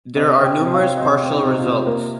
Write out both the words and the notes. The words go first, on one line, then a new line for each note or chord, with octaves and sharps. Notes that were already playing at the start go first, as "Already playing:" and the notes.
There are numerous partial results.
C3 D#5
C4
G5
C3
F5
C4
D#5
C3 C5
C4
D#4
C3
F4
C3
A#3 A#4